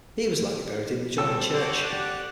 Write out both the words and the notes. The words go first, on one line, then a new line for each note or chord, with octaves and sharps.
He was likely buried in the adjoining church.
G3 C4 A4 A5 E6
F#4 A4 G5 C6 D6
G4 D5 F#5 D6 F#6